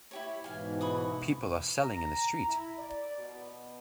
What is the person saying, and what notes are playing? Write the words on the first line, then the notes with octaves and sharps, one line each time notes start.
People are selling in the street.
E4 G4 C#5
G#2 B2 E3 F5 G#5
B5 C#6 D#6
A#5
E4
D5
B2